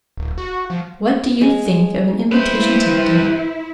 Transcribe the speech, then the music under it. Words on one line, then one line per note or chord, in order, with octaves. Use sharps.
What do you think of an invitation to dinner?
D1
F#4
F3
G#3
G2 E4 B4 C5